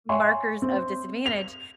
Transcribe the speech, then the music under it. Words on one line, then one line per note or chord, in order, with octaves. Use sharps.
markers of disadvantage,
C#5 E5 G#5 C6 C#6
C4
F7